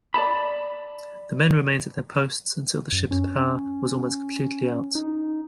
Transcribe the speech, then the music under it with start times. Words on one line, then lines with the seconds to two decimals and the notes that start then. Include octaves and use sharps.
The men remained at their posts until the ship's power was almost completely out.
0.14 D5 D#5 A5 B5
2.92 F#2
3.11 C#4
4.95 D#4